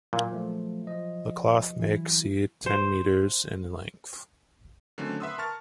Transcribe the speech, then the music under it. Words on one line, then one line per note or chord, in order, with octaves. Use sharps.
The cloth may exceed ten meters in length.
A#2 F#3
F3 A3
F3 D#5
E3 F#3 E4
C5
D3 D#3 F#3 A3 C4 C#4
B4 E5 F#5 C6 D#6 E6
A#4 A5 C#6 F6 A6